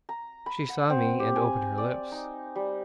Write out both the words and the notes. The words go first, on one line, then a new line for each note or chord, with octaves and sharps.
She saw me and opened her lips.
A#5
B5
F#5
C4
G4
G#5
D5
D#4
G3